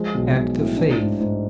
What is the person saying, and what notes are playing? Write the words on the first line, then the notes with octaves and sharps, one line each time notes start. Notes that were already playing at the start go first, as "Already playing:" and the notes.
Act of Faith.
Already playing: F3 G#3
B1
B1
A2
D4
G#2
G#2